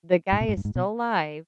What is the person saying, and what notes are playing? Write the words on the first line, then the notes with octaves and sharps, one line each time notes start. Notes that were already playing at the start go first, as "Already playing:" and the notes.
the guy is still alive,
G#2
B2
G#2
G2
G#2
B2